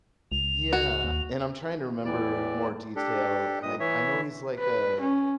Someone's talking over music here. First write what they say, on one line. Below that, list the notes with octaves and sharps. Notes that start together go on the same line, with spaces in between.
Yeah, and, I'm trying to remember more detail, I I know he's like a
C#2 F7
F#4
D#2
E2 A2 E3 D5
D4 G4 A4
G2 A#2 D#5 D#6
E3 C#5 E5
B4
C#4